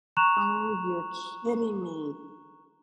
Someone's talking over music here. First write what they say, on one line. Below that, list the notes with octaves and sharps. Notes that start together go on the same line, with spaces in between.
Oh, you're kidding me.
A#5 C#6 F#6 E7 F7